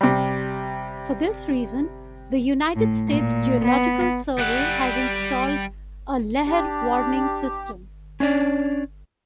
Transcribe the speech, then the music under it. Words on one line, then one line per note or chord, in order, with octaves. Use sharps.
For this reason, the United States Geological Survey has installed a lahar warning system.
C3 G3
A2
A#2
B3
G3 F#5
D4 G4
C#4 D4 C#5 D5